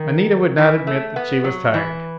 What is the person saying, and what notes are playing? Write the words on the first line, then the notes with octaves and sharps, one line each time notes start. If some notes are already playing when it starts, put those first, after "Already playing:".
Anita would not admit that she was tired.
Already playing: D#3
E3
A3
B3
F#3
E3